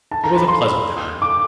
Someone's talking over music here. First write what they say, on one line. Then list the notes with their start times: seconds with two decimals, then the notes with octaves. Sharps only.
It was a pleasant time.
0.11 A5
0.24 A#5
0.36 B5
0.48 C6
1.22 D6